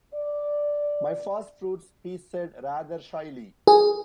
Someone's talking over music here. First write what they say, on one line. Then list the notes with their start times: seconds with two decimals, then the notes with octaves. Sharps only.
"My first-fruits," he said, rather shyly.
0.14 D5
3.67 G#4